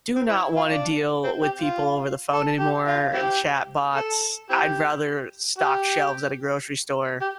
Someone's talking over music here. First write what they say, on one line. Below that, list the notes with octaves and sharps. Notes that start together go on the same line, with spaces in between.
do not wanna deal with people over the phone anymore chatbots, I'd rather stock shelves at a grocery store.
C4
E4
F4
D4
C4
G4
F4
A4
G4
F4
C4 E4 G4
A4
C4 E4 G4
G4
G4